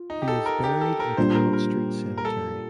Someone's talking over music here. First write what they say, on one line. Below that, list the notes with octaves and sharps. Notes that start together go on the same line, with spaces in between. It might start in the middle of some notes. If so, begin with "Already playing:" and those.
He is buried at Broad Street Cemetery.
Already playing: F4
D#4
G4
A4
A#4
G4
A4
A#4
A#2 G3 D4 C5
A#4
A#4
A#4
A4